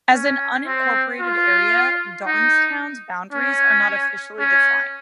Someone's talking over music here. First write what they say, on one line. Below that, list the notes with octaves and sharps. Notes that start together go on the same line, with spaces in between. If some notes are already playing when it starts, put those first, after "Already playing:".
As an unincorporated area, Darnestown's boundaries are not officially defined.
C#4
C4
F4
D#4
C#4
C#4